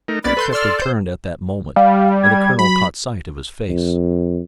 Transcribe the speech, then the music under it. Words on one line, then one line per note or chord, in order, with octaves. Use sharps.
Shepard turned at that moment, and the colonel caught sight of his face.
A3 D#4 A#4
B1 A#3 B3 C#4 D5 B5 A6
A4 B4 C6 G6
D5 C6 E6 F6
C5 G6
G3 F5
G#6
F#3 B5
F2